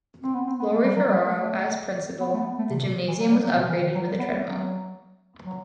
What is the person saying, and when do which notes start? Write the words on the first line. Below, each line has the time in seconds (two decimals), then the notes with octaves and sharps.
Lawrie Ferrao, as principal, the gymnasium was upgraded with a treadmill.
0.23 C4
0.35 B3
0.47 C4
0.59 B3
0.72 A3
0.84 G3
0.97 F#3
1.09 G3
1.27 A3
2.20 B3
2.34 A3
2.39 B3
2.58 A3
2.71 C3
2.83 B2
3.08 E3
3.20 F#3
3.32 G3
3.44 F#3
3.57 B2
3.69 E3
3.82 D#3
3.95 F#3
4.07 G3
4.19 B3
4.31 G3
4.43 F#3
5.46 F#3